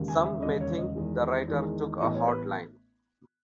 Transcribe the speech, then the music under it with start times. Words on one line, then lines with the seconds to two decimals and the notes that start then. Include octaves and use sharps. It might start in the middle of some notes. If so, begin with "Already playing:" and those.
Some may think the writer took a hard line.
Already playing: E1 D#2 C#3
0.08 G#5
0.25 E5
0.42 E1 D#2 C#3 D#5
0.61 C#5
0.78 D#5
0.96 E2 D#3 G#3
1.48 E2 D#3 G#3
2.01 A1 A2 E3 B3 D#5
2.15 C#5
2.28 B4